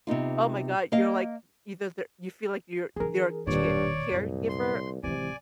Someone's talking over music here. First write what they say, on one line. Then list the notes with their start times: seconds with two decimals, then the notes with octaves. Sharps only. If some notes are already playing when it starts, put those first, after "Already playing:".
oh my god, you're, like, either their you feel like you're their tear caregiver?
0.07 C3 B3 D#4 F4
0.92 A#3 D#5 F5
2.96 E3 D4 G#4 A#4
3.47 E1 G2 A#2 D#3 C#5 D5
4.11 C2 F#2
4.49 C6
5.03 D1 C3 E3 G#3 D5 G#5